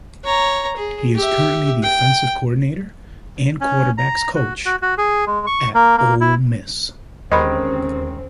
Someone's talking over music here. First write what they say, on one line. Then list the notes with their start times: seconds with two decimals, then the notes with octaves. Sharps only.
He is currently the offensive coordinator and quarterbacks coach at Ole Miss.
0.25 C#5 A#5
0.77 G#4
1.15 G4 E5
1.83 G5
3.61 C#4
3.98 A#5
4.35 F#4
4.66 F#4
4.82 F#4
4.98 G#4
5.27 G#3
5.47 C#6
5.74 A#3
5.98 A#3
6.21 E4
7.32 D#2 D3 D#3 G#3 C4 C#4 D#5 B5